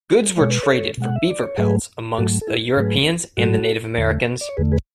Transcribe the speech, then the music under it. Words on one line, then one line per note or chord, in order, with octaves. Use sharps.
Goods were traded for beaver pelts amongst the Europeans and the Native Americans.
B2 G#3 C#5
B4
A4 C#5
B2 G#3 F#5
E5
D5
C#5
G#2 F#3 A3 G#4 B4
G#2 F#3 A3 F#4 A4
A4
E4 G#4
A4
G#2 F#3 A3 G#4 B4
G#2 F#3 A3 F#4 A4
E2 D3 A3
D5
C#5
E2 D3 A3 G#4 B4
G#4 B4